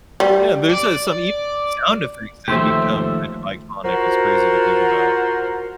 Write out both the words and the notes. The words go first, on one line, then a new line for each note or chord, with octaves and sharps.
Yeah and there's, uh, some e sound effects that become kind of iconic, it's crazy to think about.
G3
D5
D#2 F3 A3 G4 C5 E5
F4 F#4 A#4 C5